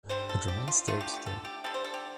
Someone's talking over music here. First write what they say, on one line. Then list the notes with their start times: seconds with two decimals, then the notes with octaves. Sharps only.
It remains there today.
0.09 D3 G3 C5
0.29 A4
0.48 G4
0.68 F4
0.87 D3 A3 F4
1.01 G4
1.14 G4
1.26 A4
1.45 G4
1.64 D3 G3 A4
1.74 C5
1.84 A4
1.94 G4